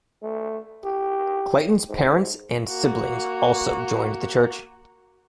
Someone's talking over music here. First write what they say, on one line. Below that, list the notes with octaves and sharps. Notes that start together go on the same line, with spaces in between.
Clayton's parents and siblings also joined the church.
A3
G4
G#2
A#3 F#4